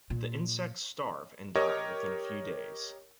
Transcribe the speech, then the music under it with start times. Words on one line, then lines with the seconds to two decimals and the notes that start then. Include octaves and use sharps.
The insects starve and die within a few days.
0.10 A#2
1.56 G4 A#4 C#5 D#5